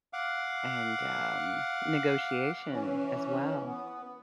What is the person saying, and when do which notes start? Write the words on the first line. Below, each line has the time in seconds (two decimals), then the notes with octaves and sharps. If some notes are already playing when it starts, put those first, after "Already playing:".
and, um, negotiation as well.
0.13 F5 F#5 D6
2.70 E3 C#4
3.65 B3